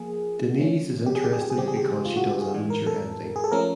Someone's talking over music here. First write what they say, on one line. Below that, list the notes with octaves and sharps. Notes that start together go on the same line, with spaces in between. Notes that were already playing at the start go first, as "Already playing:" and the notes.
Denise is interested because she does amateur editing.
Already playing: F3 A#3 G#4
D3 F3 A3 C#4
G4
G#4
G4
G#4
G4
G#4
C#3 E3 G3 C4 G4
G#4
G4
F4
F#4
G4
G#4
A2 E3 G#3
A#4
A4
G#4
A4
F3 A3 C#4 A#4